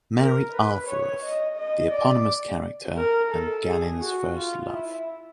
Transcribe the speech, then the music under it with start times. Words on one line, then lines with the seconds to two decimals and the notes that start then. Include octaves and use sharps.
Mary Alfyorov - The eponymous character and Ganin's first love.
0.18 A#4
0.53 B4
0.87 C#5
1.23 D#5
1.57 D#5
1.92 D5
2.97 A#4
3.32 A4
3.66 G#4
4.01 F#4
4.36 F4
4.71 E4